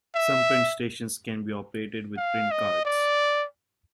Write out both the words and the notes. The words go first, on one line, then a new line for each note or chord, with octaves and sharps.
Some print stations can be operated with print cards.
E5
F5
D#5
D5